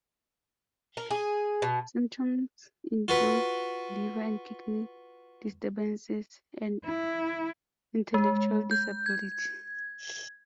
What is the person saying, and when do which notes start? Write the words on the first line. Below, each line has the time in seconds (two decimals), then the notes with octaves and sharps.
Symptoms include liver and kidney disturbances and intellectual disability.
0.97 A#4
1.11 G#4
1.62 B2
3.08 F4 F#4 B4
6.85 E4
8.14 G#3
8.71 G6
9.06 G#6